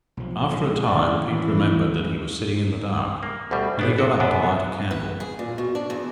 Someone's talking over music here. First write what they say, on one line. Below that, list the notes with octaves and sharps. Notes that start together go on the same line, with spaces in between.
After a time, Pete remembered that he was sitting in the dark, and he got up to light a candle.
B1 F3
G#3
A1 D#3 C#4 D5
E3
A#3
D2 B2 G3
A1 B3 D4
F#4
F#2 B3 D4
B4
G#4
A#2
B2
D4
E2